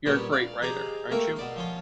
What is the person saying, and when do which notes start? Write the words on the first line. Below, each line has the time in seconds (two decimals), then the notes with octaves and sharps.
You're a great writer, aren't you?
0.06 A#2 G3 B3 C#5 D5
0.32 D5 F5
0.62 D#4 G4 G#4 C5 A#5
1.11 A3 A#3 A#4 G5 C#6
1.36 B2 D5 C6
1.56 F3 C#4 F4